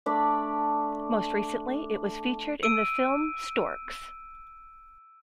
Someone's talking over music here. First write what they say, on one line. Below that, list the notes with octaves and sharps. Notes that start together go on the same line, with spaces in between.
Most recently, it was featured in the film, "Storks".
A3 D4 D5 B5
E6 D7 D#7